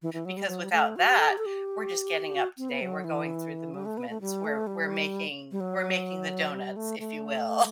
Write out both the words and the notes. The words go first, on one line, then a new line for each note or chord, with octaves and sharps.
because without that, we're just getting up today, we're going through the movements, we're we're making we're making the donuts if you will.
E3
E3
F#3
G3
F#3
G3
A3
F#4
G4
A4
G4
A4
G4
F#4
C4
B3
F#3
E3
G3
A3
B3
A3
G3
A3
G3
G3
F#3
G3
A3
A3